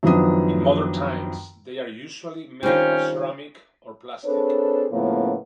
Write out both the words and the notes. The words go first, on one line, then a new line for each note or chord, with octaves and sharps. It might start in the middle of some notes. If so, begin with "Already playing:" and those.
In modern times, they are usually made of ceramic or plastic.
F#2 D#3 F3 B3 D4 D#6
D#3 G3 C4 C#4 F4 G5
C4 D4 G#4 A4 B4 C#5
A2 C#3 F3 A#3 B3 C#4